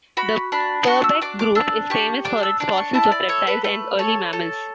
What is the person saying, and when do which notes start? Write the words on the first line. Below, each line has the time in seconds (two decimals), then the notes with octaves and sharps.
The Purbeck Group is famous for its fossils of reptiles and early mammals.
0.17 F#4 B5
0.52 D4 B5
0.87 F#4 C#6
1.04 E6
1.21 D4 D6
1.39 D6
1.55 D4 E6
1.90 G4 C#6
2.25 D4 D6
2.43 E6
2.60 D4 D6
2.77 C#6
2.94 E4 A5
3.12 D5
3.29 A4 C#5
3.47 B4
3.64 A3 B4
3.99 A4 C#5
4.33 A4